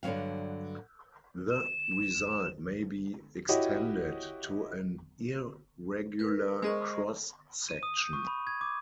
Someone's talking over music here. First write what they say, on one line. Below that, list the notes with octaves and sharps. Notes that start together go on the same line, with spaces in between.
The result may be extended to an irregular cross-section.
G2 D3 E3 F#3 F5
E7
E4 F#4 G4 C#5 D#5 F#5
A#4 B4
G#3 G#4 A#4 C5 D#5 C#6
D#7
D#6
G6
C#6
B5
G#6
D6